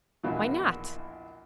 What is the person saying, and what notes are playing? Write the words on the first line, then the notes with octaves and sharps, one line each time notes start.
"Why not?"
A#1 E2 B2 E3